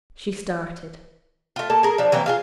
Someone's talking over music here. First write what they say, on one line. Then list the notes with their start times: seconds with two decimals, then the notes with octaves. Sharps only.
She started.
1.56 A3 F4
1.70 A#3 A4 A5
1.83 G#4 A#4
1.98 F3 D4
2.12 E3 F#3 A#3 C4
2.26 F4 G#4 F5